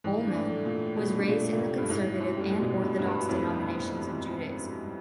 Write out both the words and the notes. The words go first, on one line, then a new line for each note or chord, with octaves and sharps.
Ullman was raised in the Conservative and Orthodox denominations of Judaism.
G#2 E3
D4
A2
A3
A#2
A3
B2 A3
D4
A#2
A3
A#2
A2
C3
G2
G#2 E4
E4
F#2
A2 G3
G#2
B2
G2 B2
G2
F#2 B3
F#2
F2 E4